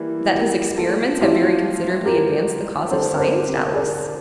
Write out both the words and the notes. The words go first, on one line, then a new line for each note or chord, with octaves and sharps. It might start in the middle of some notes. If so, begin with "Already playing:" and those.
"That his experiments have very considerably advanced the cause of science, doubtless?"
Already playing: E3 G3 A#3 E4
G4 A#4
F4 A4
F3 A3 C4 E4 F4 G4
G4 A#4
D3 G3 D4 A4 C5
A#4
A4 C5
G4 A#4
A#4 D5